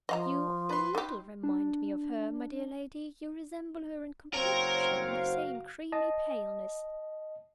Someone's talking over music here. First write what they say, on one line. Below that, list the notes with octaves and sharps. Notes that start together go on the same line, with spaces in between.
You a little remind me of her, my dear lady--you resemble her in complexion: the same creamy paleness.
F3 D#5 F5 A#5
B4 C6
D#4 G4
D4
F#1 C4 F#4 A#4 C5 C#5 F5 A#5
D#5 A5